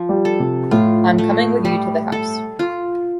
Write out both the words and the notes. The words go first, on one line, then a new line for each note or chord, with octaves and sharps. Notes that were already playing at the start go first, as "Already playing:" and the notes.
I'm coming with you to the house.
Already playing: F3
G3
A4
C3
A2 F4
A3
G3
A4
F4